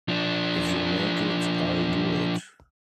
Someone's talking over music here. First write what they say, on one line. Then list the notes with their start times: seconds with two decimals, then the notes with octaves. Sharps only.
If you make it, I'll do it'.
0.08 F3 D4